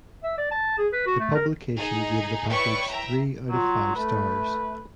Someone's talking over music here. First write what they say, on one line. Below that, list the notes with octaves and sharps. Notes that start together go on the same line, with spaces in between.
The publication gave the package three out of five stars.
E5
D5
A5
G#4
B4
F#4
A3
A#4
D#4 G#4
E4 B4 C#5 D5 G5 C#6
E5 G5 A#5
F#3 F4
A3 B4